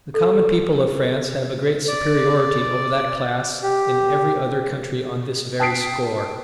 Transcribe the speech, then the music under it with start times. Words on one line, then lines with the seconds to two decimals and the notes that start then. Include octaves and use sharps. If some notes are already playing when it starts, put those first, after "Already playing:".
The common people of France have a great superiority over that class in every other country on this very score.
0.14 A4
1.88 D5
3.63 G4
5.60 G5 A5 D#6 B6 C7 D7